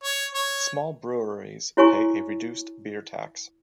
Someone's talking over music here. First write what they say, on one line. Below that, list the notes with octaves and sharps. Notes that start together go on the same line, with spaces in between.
Small breweries pay a reduced beer tax.
C#5
C#5
E4 F#4 C#5 G#5 A#5 C#6